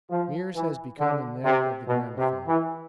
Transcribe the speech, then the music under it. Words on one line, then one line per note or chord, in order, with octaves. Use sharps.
Meares has become enamoured of the gramophone.
F3
E3
D3
C3
B2
C3
E3